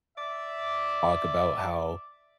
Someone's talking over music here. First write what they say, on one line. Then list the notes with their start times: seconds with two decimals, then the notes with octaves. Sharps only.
talk about how
0.17 D5 E5